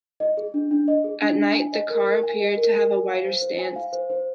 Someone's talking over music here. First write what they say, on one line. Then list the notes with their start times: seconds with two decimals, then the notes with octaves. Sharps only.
At night, the car appeared to have a wider stance.
0.20 D#5
0.37 G#4
0.54 D4
0.71 D4
0.88 D#5
1.04 G#4
1.21 D4
1.38 D4
1.56 G#5
1.73 D#5
1.90 A#4
2.06 A#4
2.23 G#5
2.40 D#5
2.57 A#4
2.74 A#4
2.91 G#5
3.08 F5
3.24 C5
3.42 C5
3.59 G#5
3.76 F5
3.93 C5
4.10 C5